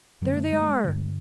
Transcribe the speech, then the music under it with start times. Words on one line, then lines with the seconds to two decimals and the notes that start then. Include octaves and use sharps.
There they are...
0.22 F#2 D3 F#3
0.33 A#3
0.37 A3
0.53 G#3
0.62 A3
0.69 G#3
0.84 G2 D3